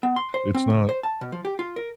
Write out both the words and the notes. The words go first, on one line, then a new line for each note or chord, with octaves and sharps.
It's not,
B3
C6
C5
C4
C#2
C5
A5
B2
F3
G4
F4
A#4